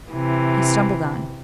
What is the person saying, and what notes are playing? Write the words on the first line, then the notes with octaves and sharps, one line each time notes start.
He stumbled on.
C3 E3